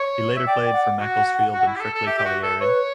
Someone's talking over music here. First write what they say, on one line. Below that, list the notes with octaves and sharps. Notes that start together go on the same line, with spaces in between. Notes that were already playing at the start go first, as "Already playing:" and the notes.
He later played for Macclesfield and Frickley Colliery.
Already playing: C#5
E5
D5 G5
F#5
F#4
F#4
E4
G4
A4
A4
G4 E5
G4
F#4
A4
B4 C#5